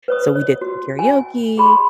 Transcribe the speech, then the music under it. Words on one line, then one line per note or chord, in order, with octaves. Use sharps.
So, we did the karaoke,
B4 C#5 D#6
C#5
F#4
G#5
G#4 B5 C6